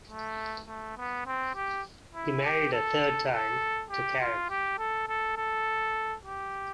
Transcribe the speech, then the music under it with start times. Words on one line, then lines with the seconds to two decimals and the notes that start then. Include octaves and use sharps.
He married a third time, to Karen.
0.09 A3
0.68 A3
0.98 B3
1.27 C4
1.56 G4
2.15 E4
2.45 G4
2.73 A4
3.32 A4
3.91 G4
4.21 F4
4.50 G4
4.78 A4
5.09 A4
5.37 A4
6.25 G4